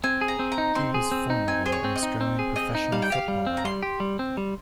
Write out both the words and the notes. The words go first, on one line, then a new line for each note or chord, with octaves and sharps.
He was formerly an Australian professional footballer.
C4 G#5
G#4
A#5
C4
A#5
D#4
C4 C6
G#4
C4
D#4
C4 G#5
G#4 C5
C#5
C4
D#5
D#4
C4
G#4
C4 D#5
D#4
G3 F5
G5
G4 F5
G3
C4
A#5
G3 C6
G4
G3
C4
G3